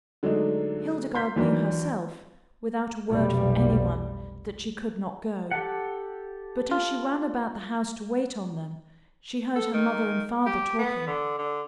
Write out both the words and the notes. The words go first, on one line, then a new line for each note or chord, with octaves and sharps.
Hildegarde knew herself, without a word from any one, that she could not go; but as she ran about the house to wait on them, she heard her mother and father talking.
D3 F#3 G#3 A3 D4 D#4
C6 G6 B6
D#2 E3 F#3 D4 A#4
F1 B1 G3
G4 A4 F#5
F4
A4
D#3
G4
B3
D3
D3